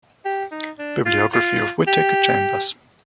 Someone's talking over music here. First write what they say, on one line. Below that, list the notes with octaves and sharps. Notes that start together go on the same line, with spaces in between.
Bibliography of Whittaker Chambers.
G4
D#4
D4
F4
F4
G4